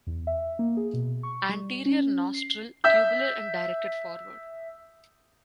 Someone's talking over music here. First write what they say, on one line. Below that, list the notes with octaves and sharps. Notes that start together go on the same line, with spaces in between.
Anterior nostril tubular and directed forward.
E2
E5
A#3
G#4
B2
C#6
G3
C#4
C7
E5 E6 G6